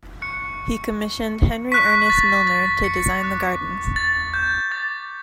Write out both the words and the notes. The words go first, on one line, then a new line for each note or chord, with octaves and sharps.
He commissioned Henry Ernest Milner to design the gardens.
C#6 F#6 C#7
C#6 F#6 B6
A6
A6
B6
C#7
D6 F#6
A6
G6
D6 G6 A6